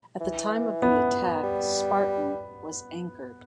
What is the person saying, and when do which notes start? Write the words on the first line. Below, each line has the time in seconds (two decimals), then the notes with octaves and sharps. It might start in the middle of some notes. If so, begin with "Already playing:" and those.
At the time of the attack "Spartan" was anchored.
0.20 E3
0.82 B3
1.43 G3